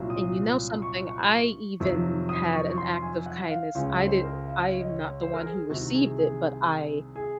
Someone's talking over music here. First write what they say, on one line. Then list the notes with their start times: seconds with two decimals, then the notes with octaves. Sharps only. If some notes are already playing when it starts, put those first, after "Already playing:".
and, you know something, I even had an act of kindness; I did I'm not the one who received it, but I
Already playing: C2 A#2 F#3
0.10 D#6
0.82 C#6
1.07 C#6
1.80 F2 C3 D#3 F#3
2.29 D#6
2.53 C#6
2.70 C#6
2.78 C6
3.02 G#5
3.26 F#5
3.50 F5
3.75 C#2 C#3 G#3 C#5
3.91 C#5
4.07 C5
4.24 A#4
4.48 F5
4.72 C#5
4.80 D#5
4.87 C#5
5.22 C5
5.34 A#4
5.45 G#4
5.69 C2 C3 D#3 F#4
5.95 G#4
6.18 G#4
7.16 G#4